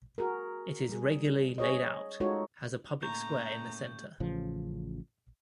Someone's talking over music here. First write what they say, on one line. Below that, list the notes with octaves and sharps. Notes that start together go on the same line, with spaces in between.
It is regularly laid out, has a public square in the center.
F#4 G#4 A#4
G3 G#4
G#4 C#5 D#5
G#3 D#4 F4 F#4 A4 C#5
A2 C#3 A#3 A#5 C#6 G6 F7
A1 C#3 F3